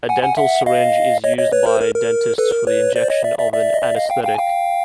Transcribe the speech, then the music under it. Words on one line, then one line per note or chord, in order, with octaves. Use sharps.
A dental syringe is a used by dentists for the injection of an anesthetic.
F#5 G#5
F#5 G#5
E5 F#5
D#5 F5
C#5 D#5
C#5 D#5
B4 C#5
A#4 C5
A#4
A#4
A4 B4
A#4
B4 C#5
C5 D5
C#5 D#5
D5 E5
D5 E5
D5 E5
D#5
D5 E5
D#5 F5
F5 G5
F5 G5
G#5
F5 G5